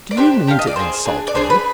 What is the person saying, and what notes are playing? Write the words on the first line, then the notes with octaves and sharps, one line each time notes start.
"Do you mean to insult me?"
D5
D4 G4 C5
D4 G4 F5
D#5
D5
D4 G#4 C5
D4 G#4
D5
D4 G#4 C5
B4